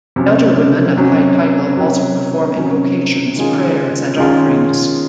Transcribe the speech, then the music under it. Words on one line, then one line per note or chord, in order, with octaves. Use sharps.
Elder women of high title also perform invocations, prayers, and offerings.
C3 F#3 C#4
C3 F#3 C#4
C3 F#3 C#4
C3 F#3 C#4
D#3 G#3 C#4 F4 G#4
D#3 G#3 C#4 F4 G#4